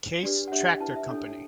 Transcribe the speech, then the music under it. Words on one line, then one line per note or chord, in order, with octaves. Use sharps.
Case tractor company.
D4 G4 B4 D5
F#5
D4 G4 C#5 E5
G5
E4 B4 A5
E5
D4 A4 C#5